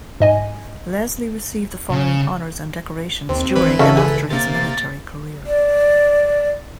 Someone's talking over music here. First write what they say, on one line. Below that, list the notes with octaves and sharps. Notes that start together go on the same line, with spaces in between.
Leslie received the following honours and decorations during and after his military career.
G#2 D#5 G#5
C#3
D#2 C4
G#1 E3 B4
C#3 C#4 F#4 A4 E5
G#4
C3 A#3 A6
D5